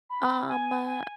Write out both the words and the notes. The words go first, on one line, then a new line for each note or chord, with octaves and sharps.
Um, uh,
B5
G#5
G#5